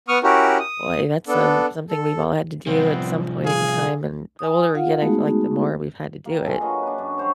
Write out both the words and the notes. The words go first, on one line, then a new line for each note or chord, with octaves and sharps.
Boy, that's, um, something we've all had to do at some point in time, and the older we get, I feel like the more we've had to do it,
B3 C#6 D#6 F6
C#4 E4 F#4 G4 A#4
D#6
B3 D4 A4
A4
C2 F3 B3 C4
G#4 F5
G#5 D#6
F4 F5 F#5
G#3 A3 B3 D#4 F#4 G#4
A#3 G5
D4 F4 G#4 A4
F#3 A#3 B4 D#5
D4 B4
F#2
G3 F#4 C5 C#5